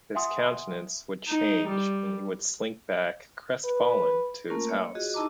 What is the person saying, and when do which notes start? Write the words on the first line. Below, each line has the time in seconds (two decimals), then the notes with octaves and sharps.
His countenance would change and he would slink back crestfallen to his house.
0.15 E5 F#5 G#5 C6 D#6
1.28 D#4
1.68 G3
3.65 B4
4.48 A3 A#3 C#4 F4 A#4
4.69 C#5 D#5
4.95 F4 F#4 G#4 D#5
5.14 D#4 E4 D#5 A5 A#5 D6